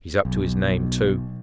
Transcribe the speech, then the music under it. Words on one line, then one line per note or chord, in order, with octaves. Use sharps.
He's up to his name too.
B1